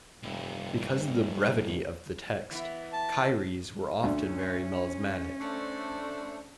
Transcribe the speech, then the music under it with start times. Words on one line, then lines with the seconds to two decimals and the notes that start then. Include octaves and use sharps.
Because of the brevity of the text, Kyries were often very melismatic.
0.23 F1 C2 G2
2.51 E3 B3 E4
2.93 A5
4.03 D2 C#4
5.41 A3 D4 C5